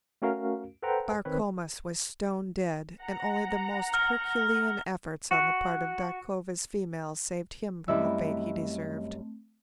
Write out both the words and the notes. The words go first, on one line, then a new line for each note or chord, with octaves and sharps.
Bar Comas was stone dead, and only the most herculean efforts on the part of Dak Kova's females saved him from the fate he deserved.
A3 C#4 F#4 A#4 F5
A4 B4 C5 F#5 G5 A#5
D#3 C4 B4 C#5
F#5 A#5
F6
F#4
F#2 G3 A3 C4 E4 D#5 E5